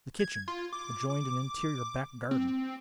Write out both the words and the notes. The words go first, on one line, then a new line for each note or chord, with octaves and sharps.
The kitchen adjoined an interior back-garden.
G#6
F4
D6
D6
C4